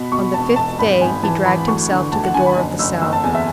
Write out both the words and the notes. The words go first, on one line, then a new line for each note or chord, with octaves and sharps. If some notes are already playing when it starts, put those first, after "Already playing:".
On the fifth day he dragged himself to the door of the cell.
Already playing: B2 B5
B2 C#6
E1 A5
E1 A5
G#1 B5
G#1 G#5
E3 A5
E3 B5
D2 C#6
D3
D2 A5
F#5
D3 G#5
B5
F#1
F#1 E6
F#1 E6
A5
E2 G#5
E5